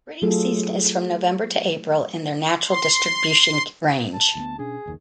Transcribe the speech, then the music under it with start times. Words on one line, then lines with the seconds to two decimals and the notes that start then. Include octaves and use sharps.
Breeding season is from November to April in their natural distribution range.
0.22 F#3 A3 F4 G#4 A4
2.67 C6
4.13 A5
4.35 D2 G#3 B3
4.59 B2 C#4 D4 G#4
4.86 F#1 D#2 D#3